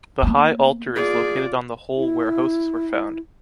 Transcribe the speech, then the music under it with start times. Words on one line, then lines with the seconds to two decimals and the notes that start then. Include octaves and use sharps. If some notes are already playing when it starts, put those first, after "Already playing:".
The high altar is located on the hole where hosts were found.
0.23 A#3 B3
0.96 F4 G#4 D5
1.96 E4